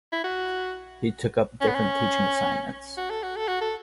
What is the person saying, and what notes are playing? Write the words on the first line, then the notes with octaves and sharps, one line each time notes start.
He took up different teaching assignments.
E4
F#4
C#4
B3
C#4
F#4
A4
F#4
A4
F#4
A4